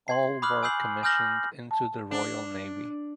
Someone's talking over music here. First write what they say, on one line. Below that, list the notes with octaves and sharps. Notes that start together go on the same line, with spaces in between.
All were commissioned into the Royal Navy.
C6 G#6 C7
B5 D6 D#6 F6 F#6 F#7
G#5 D#6 E6 G6 C7 F#7
G#5 D#6 F6 G6 A#6 F#7
A5
D4